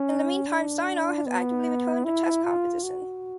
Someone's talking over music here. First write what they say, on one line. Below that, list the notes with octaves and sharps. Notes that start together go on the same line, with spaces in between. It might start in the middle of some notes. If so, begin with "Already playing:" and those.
In the meantime Sinar has actively returned to chess composition.
Already playing: C#4
D4
B3
E4
F4
F#4